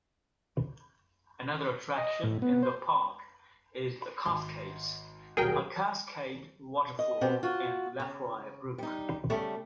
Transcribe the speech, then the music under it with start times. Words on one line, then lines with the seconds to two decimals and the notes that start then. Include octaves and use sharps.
Another attraction in the park is The Cascades, a cascade waterfall in Lefroy Brook.
1.98 D#5
2.23 A2
2.42 B3
2.63 C5
4.26 G#1 C6
5.37 D#1 B1 F#4 G#4 A#4 G5
6.99 D#5
7.21 B2 B3 C4 G4
7.43 F4 F#4
8.00 C#3
8.78 G3 D#4
9.30 C#3 G3 A3